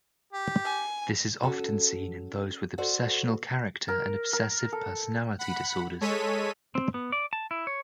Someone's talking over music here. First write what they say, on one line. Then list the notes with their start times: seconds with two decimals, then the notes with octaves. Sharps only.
This is often seen in those with obsessional character and obsessive personality disorders.
0.33 G4
0.65 G#5
1.43 C#4 F#4 A4
2.78 F#4 A4 C5 D5 F#5
3.88 A#4
4.33 A#4
4.72 A4
5.39 F#5 B5
6.01 G#3 A4 C#5 B6 D#7
6.75 C4
6.94 B3
7.12 D5
7.33 A5
7.51 E4
7.67 C#5